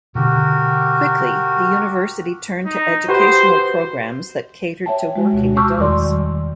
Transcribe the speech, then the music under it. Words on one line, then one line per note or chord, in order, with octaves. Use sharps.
Quickly, the university turned to educational programs that catered to working adults.
B2 D3 F#4 G4 A#4
D#4
F#4 G4 B4 C5
C#5 E5 G5 A5
G#3 F#4
D2 B2 F#4
A5 C#6 D6 E6 F6 G6
E2 D#3 G3 D5 C6